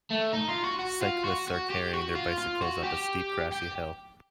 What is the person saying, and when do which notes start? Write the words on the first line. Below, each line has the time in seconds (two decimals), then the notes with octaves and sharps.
Cyclists are carrying their bicycles up a steep grassy hill.
0.11 A3
0.33 D#4
0.49 F4
0.64 F#4
0.79 F#4
1.02 F4
1.25 F#4
1.48 F#4
1.70 G4
1.94 F#4
2.15 F4
2.38 F4
2.62 F#4
2.84 G4
3.52 G4